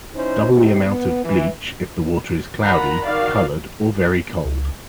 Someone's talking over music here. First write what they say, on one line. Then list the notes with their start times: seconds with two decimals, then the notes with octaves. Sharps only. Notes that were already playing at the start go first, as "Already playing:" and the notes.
Double the amount of bleach if the water is cloudy, colored, or very cold.
0.14 C#4 D#4 E4 C5
0.52 A2 C3 D#4 G4
0.85 B3
1.25 E3
2.63 D#3 F4 F#5 A#5 B5
3.05 D#3 F#4 D5 F5
4.45 C#2